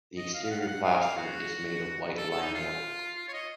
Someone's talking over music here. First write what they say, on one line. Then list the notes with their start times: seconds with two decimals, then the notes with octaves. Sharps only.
The exterior plaster is made of white lime mortar.
0.17 D#5
0.34 F5
0.44 F5
0.51 F#5
0.61 F5
0.67 F#5
0.84 F5
1.00 F5
1.17 F#4
2.17 A4
2.30 A4
2.42 D#4
2.54 F4
3.16 F4
3.28 C#5
3.33 D#5